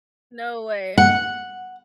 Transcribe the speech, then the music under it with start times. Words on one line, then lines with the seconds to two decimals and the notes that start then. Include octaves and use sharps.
No way.
0.98 F#5